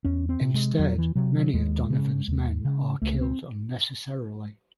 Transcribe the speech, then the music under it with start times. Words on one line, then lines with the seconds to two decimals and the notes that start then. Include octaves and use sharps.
Instead, many of Donovan's men are killed unnecessarily.
0.05 E2 C#4
0.29 C4
0.41 C3
0.54 G#3
0.79 E2 F#3
0.98 E3
1.15 C3 F#3
1.35 F#3
1.54 D#2 G#3
1.90 C#3
2.28 D#2
2.65 C#3
3.02 C#2 A3
3.21 C4